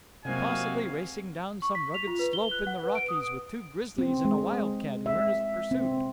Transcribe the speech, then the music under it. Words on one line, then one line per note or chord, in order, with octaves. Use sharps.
Possibly racing down some rugged slope in the Rockies with two grizzlies and a wildcat in earnest pursuit.
C3 F#3 A#3 C4 D#4 F#4 F5 G#5
C#6
B6
F7
F4
B4
G7
F#6
F#5
B4
D7
D#6
C4
G#3
E5
C4